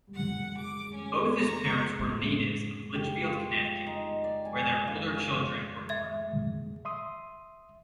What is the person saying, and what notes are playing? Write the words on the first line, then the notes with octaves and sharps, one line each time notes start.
Both his parents were natives of Litchfield, Connecticut, where their older children were born.
F#5
D6
C#4
A#5
A2 G#3
G4
F4
D#4
D5
G#5
F5
F5
E5 G#6
E5 C6 D#6